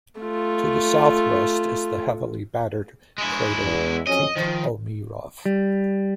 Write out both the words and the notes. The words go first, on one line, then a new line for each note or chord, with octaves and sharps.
To the southwest is the heavily battered crater Tikhomirov.
A3 F4
G#3 E4
E2
F2 F#3 C#4 D#5
D#3 F3 C5
G3